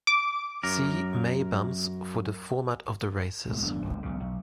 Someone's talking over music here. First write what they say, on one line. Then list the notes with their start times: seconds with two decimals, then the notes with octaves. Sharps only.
See May Bumps for the format of the races.
0.07 D6
0.63 F#2 A#4
3.49 B2 G#3 A3
3.61 D#1 F#2 B3 D4
3.84 F#1 C#2 F#2
4.03 B1 C#3
4.20 B1